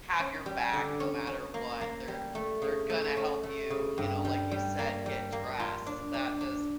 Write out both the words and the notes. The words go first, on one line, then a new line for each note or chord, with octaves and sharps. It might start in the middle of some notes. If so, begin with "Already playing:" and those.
have your back no matter what, they're they're gonna help you, you know, like you said, get dressed, that just
C#4
G3
D3
C#4
C#4
A#3
A#3
G3
A3
C#3
A3
C#4
A3
C#3
G2
G3
G3
A#3
G3
A#3
F4
D4
D4
D4